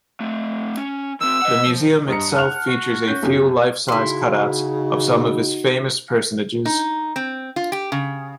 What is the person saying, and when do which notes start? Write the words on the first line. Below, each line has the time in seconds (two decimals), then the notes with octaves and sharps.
The Museum itself features a few life-size cut-outs of some of his famous personages.
0.21 A3 C4
0.77 C#4
1.21 D#3 C4 E6
1.42 D#5 F#5
1.66 F3
2.08 G2 D#5 A#5 C#7
2.34 F#5 A5 F6 F7
2.67 F#4
3.08 C#4 G6
3.23 B1 F#2 G4
3.88 C#3 D#4 E4 F#4 C6
6.66 D#4
7.16 C4
7.56 F4
7.72 G4
7.92 C#3